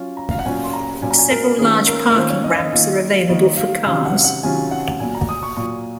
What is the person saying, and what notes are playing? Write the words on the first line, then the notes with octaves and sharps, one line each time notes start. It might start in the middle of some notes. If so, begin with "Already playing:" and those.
Several large parking ramps are available for cars.
Already playing: F#3 C#4 F4
A#5
F5
F#5
A#2 F#3 C#4 F4 G#5
C6
A#5
A#2 F#3 C#4 F4 G#5
A#5
G#5
A#4
D#3 A#3 C#4 F4 G#4
A#4
A#4
D#3 A#3 C#4 F4 C5
C#5
D#5
F5
D#5
D#3 A#3 F4
D#3 A#3 F4 D#5
F5
C3 D#3 F#3 C#4 F4 F5
F#5
F5
F#5
C3 D#3 F#3 C#4 F4 G#5
F#5
A#2 F#3 A#3 G#5
A#5
D#6
C#6
A#2 F#3 A#3 C#6